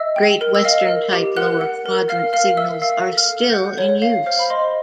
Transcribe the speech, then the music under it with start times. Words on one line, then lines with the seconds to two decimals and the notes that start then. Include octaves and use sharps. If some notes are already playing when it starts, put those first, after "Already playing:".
Great Western type lower quadrant signals are still in use.
Already playing: D#5 E5 E6
0.16 G5
0.41 A#4
0.55 E6
0.64 D#5 F5 F6
0.88 A#4
1.13 G4
1.36 A#4 F#5 F#6
1.61 F#5
1.86 A#4
2.09 A#4 F5 F6
2.33 A#4 F5 F6
2.57 A#4 E5 E6
2.82 E5 F5 E6
3.06 A4
3.17 F5 F6
3.30 A4
3.50 G6
3.53 A4 F#5 F#6
3.78 C#5
4.02 F5
4.26 C5 F5 F6
4.39 B5
4.50 C5 D#5 C6